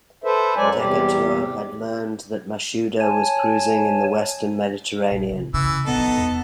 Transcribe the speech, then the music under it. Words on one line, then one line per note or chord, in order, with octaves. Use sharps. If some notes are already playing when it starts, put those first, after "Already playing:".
Decatur had learned that Mashuda was cruising in the western Mediterranean.
A4 B4 C5 E5
F#2 F#3 G#3 D5 G#5
E2 C3 G3 G4
C#5 G#5 A5
A#1
C#3
C#3 E3 E6
A#1 B3 D#4 A4
F#3
E2